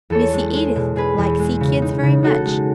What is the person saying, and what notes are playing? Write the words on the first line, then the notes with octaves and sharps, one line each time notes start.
Missy Edith like see kids very much.
E2 A4 C#5
G#3
G#3
B2
B2 G#4 B4
E2
G#3
C#3
D#4
C#3
D#4 F#4 A4
G#3